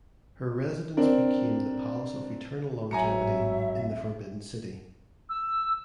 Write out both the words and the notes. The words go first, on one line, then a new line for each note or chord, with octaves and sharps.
Her residence became the Palace of Eternal Longevity in the Forbidden City.
C4 D4 A#4
G#1 C#2 A2 F#3 E5 G#5 A#5 C#7
E6